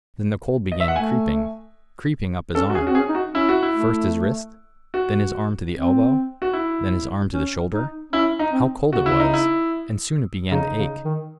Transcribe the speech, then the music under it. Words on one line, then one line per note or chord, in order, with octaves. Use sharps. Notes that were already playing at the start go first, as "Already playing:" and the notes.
Then the cold began creeping, creeping, up his arm; first his wrist, then his arm to the elbow, then his arm to the shoulder; how cold it was! And soon it began to ache.
D#5
E5
F#5
A3 G#5
C#4 A4
F#4
G#4
C#4
F#4
C4
G#4
C#4
D#4
F#4
C#4 E4
F#4
E4
A3
F#4
C4
F#4
E4
C#4
D#4
C#4 E4
D#4
C4
C#3 F#4
E4
D#4
E4
C#3 D#4
C#3
D#3